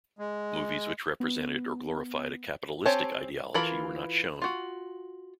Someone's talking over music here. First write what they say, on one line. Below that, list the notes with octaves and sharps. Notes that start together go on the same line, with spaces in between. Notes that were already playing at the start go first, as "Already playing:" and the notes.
Movies which represented or glorified a capitalistic ideology were not shown.
G#3
B3
C4 G4 C#5 G#5 A5
E3 F4 A4 A#4 B5
F4 F#4